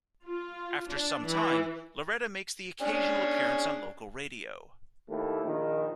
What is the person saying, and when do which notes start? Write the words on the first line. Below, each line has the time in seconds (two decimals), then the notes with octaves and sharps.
After some time, Loretta makes the occasional appearance on local radio.
0.25 F4
0.89 D4
1.24 E3
2.81 C#4 D4 G#4
5.08 D#2 A3 E4 G4
5.44 A#1 D#3